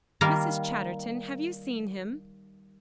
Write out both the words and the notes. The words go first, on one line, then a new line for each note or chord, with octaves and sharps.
"Mrs. Chatterton, have you seen him?"
D#3 G3 A#3 A#4 F5